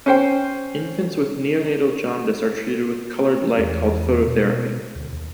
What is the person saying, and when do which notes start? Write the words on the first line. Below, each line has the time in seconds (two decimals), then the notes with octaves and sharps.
Infants with neonatal jaundice are treated with colored light called phototherapy.
0.06 C#4 C5 G5
3.59 E2
4.27 B2
4.95 D2
5.13 D#2